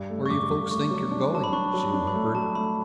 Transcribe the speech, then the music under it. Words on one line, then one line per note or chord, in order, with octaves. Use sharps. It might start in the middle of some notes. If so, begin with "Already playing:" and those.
"Where you folks think you're going?" she whimpered.
Already playing: G2
A3
C#6
G2 D6
G2
A3 C#6
F#3
D4
F#3 A5
B5
D4 C#6
F#3
B5
D4
B5
A3
F#3 A5
A3 B5